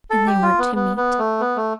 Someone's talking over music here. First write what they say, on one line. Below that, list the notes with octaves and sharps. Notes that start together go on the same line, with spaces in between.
And they went to meat.
A4
G4
F4
B3
B3
B3
A3
B3
A3